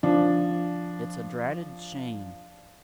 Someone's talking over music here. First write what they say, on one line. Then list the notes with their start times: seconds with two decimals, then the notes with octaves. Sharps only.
It's a dratted shame!
0.03 F3 D4